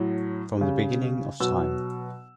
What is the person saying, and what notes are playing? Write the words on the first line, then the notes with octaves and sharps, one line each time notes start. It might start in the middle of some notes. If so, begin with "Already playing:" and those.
From the beginning of time.
Already playing: A2 F#3
C#3 G3
B2 F#3 E6